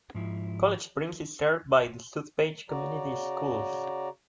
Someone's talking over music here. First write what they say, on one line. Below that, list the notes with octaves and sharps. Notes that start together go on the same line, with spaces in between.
College Springs is served by the South Page Community Schools.
G#2 F3 E4
C#3 F#4 D5 A#5